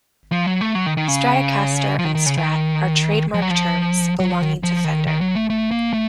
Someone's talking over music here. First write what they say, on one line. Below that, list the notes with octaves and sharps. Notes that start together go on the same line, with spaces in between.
"Stratocaster" and "Strat" are trademark terms belonging to Fender.
F3
F#3
A3
F#3
D#3
D#3
C#3
F3
D#3
D#3
C#3
D#3
F3
F#3
F3
F#3
F3
D#3
F3
D#3
D#3
F#3
A3
A3
A#3
A3